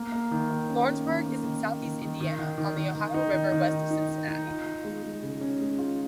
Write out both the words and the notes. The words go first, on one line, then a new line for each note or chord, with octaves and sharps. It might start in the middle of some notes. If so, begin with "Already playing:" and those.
Lawrenceburg is in southeast Indiana, on the Ohio River west of Cincinnati.
Already playing: A#3
A#3
D#3
A#3
C#4
A#3
D#3
A#3
D#3
A#3
D#3
D#3
D#3
D#3
D#3
D#3
D#3
D#4
D#3
D#3
D#4
D#4
D#4
D#4
F4
F4
G#3
G#3
C#3
C#4
G#3
F4